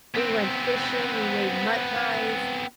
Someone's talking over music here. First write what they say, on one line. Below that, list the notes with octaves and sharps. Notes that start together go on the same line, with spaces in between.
we went fishing, we made mud pies,
B3 C4